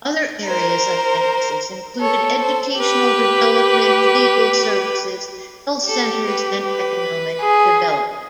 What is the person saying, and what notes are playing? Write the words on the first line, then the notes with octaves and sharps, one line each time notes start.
Other areas of emphasis included educational development, legal services, health centers, and economic development.
A#4 C5
A4 C#5
C5
G4 B4
G4 A4
B4
B4
G#4